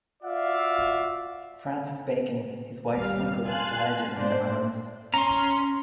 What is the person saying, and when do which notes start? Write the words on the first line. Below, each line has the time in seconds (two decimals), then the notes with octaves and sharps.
Francis Bacon, his wife's uncle, died in his arms.
0.23 F4 F#4 D5 E5 F5
2.92 G#1 D#2 G3 F5 F6
3.46 F5 G#5 A5 C6 F#6
4.15 G#2 D4 C5 D5
5.14 C#4 A#5 C6